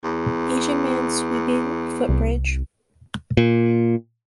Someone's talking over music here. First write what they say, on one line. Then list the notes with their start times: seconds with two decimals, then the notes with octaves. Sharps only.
Asian man sweeping footbridge.
0.04 E2
2.09 C2
3.37 A#2